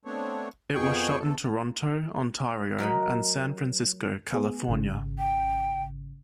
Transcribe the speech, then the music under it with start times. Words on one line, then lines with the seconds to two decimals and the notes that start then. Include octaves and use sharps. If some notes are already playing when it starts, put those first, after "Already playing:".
It was shot in Toronto, Ontario, and San Francisco, California.
0.05 A3 B3 C4 D4 C#5
0.74 F2 B2 G#4 G5 C#6
1.19 E2 A4
2.78 F#3 A#4 D#5 B5
4.33 B3 G#4
4.68 G#1 C#3
5.19 G5